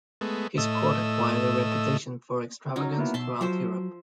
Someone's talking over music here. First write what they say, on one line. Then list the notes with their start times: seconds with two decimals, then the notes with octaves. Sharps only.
His court acquired a reputation for extravagance throughout Europe.
0.21 G#3 A3 B3
0.58 A2 A3 D#5 E6
2.76 F#3 C#4 D#4
2.98 A#3 B3 E4
3.14 B2 E5 A5 C6
3.41 F3 F#3 C5 E5